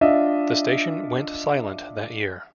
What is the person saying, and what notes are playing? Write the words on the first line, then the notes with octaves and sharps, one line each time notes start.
The station went silent that year.
D4 F4 D#5 E5